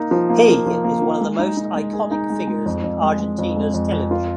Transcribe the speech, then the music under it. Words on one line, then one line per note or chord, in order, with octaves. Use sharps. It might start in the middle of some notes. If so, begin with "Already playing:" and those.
He is one of the most iconic figures in Argentina's television.
Already playing: A#3 D#4
F3
A#3
A#3
F3
A#3
F3
G#3
D#4
D#4
G#3
G#4
D#4
G#3
G#3
F2
F2
G#3
G#3
F2
G#3
F2
F2
F4